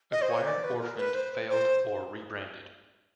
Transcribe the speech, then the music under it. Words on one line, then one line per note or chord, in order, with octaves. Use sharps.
Acquired, orphaned, failed or rebranded.
D#5
C5
C#5
D5
B4
A#4
B4
C5
C5